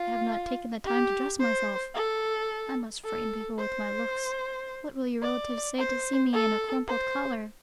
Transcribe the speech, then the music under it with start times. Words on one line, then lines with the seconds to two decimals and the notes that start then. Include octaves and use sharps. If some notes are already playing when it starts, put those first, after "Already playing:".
I have not taken the time to dress myself, I must frighten people with my looks! What will your relatives say to see me in a crumpled collar?
Already playing: F4
0.85 G4
1.40 C5
1.95 A4
3.04 A4
3.58 C5
5.23 D5
5.79 C5
6.33 A4
6.88 C5